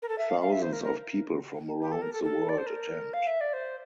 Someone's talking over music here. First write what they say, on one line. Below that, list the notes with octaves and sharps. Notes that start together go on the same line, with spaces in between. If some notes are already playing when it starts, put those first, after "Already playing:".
Thousands of people from around the world attend.
A#4
A4
E5
F5
F5
E5
C5
A#4
A#4
G4
A4
A#4
A4
A4
D5
C5
A#4
F5
E5
D5
C5